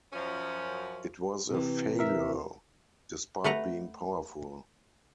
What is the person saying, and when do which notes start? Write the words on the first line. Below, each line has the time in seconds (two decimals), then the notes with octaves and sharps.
It was a failure despite being powerful.
0.13 F#2 F3 C#4
1.50 C3 E3
1.99 A#4 E5
3.44 A3 B4 F#5 A#5